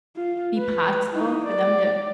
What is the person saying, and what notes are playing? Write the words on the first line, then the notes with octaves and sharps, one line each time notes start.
be possible for them to
F4
B4
D#4 E4
D5